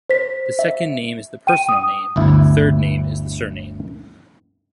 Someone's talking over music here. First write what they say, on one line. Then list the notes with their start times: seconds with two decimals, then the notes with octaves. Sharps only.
The second name is the personal name and the third name is the surname.
0.09 C5 B6
0.59 E5
1.47 G5 D#7
1.69 D#6
2.16 G1 D2 E4